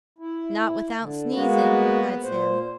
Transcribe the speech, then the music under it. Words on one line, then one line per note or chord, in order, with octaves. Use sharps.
'Not without sneezing,' replied Sam.
E4
D3
G#3 A#3 B3 F#4
A#2 C5